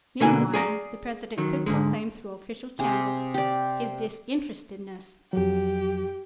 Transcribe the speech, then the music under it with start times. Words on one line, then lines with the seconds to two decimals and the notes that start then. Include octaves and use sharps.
Meanwhile the President could proclaim through official channels his disinterestedness.
0.20 B2 D3 A#3 F#4 G#5
0.54 G#4 D5 A#5
1.38 D#3 F#3
1.66 G#2 D3 G#3
2.79 C3 G#4
3.34 G4 D5
5.33 F2 F#3 G4